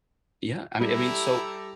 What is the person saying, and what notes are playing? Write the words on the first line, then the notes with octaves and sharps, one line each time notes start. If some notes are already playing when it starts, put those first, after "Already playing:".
Yeah, I mean I mean, so
G3 E4 G4 A4 A#5